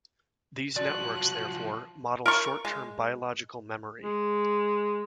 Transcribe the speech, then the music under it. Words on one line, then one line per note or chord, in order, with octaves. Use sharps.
These networks, therefore, model short-term biological memory.
F3 F#3 F#4 D5 F#6
A#4 C#6
G#3
G#3